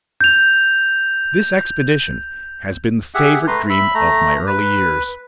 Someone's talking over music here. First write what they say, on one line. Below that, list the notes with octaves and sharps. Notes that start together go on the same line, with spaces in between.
This expedition has been the favourite dream of my early years.
G6 F7
G4 G#4 E5 F#5
A3 B4 A#5 C6
E5 B5
A3 A#5
B4